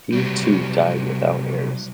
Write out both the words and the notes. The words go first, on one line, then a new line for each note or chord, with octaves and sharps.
He too died without heirs.
C3 F#3 G3